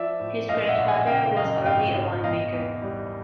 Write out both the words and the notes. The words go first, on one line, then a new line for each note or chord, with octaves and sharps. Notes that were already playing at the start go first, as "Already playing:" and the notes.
His grandfather was already a winemaker.
Already playing: F3 D5 E5
A2
A#1 D#5 F5
E5 F#5
A#1
F#5 G#5
C#3 F5 G5
F#2 D#5 F5
G#1 F5 G5
G#1
B2 D#5 F5
E2
G3